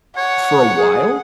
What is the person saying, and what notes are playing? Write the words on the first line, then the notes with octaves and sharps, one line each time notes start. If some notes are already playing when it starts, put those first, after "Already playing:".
for a while
C#5 F#5
G#4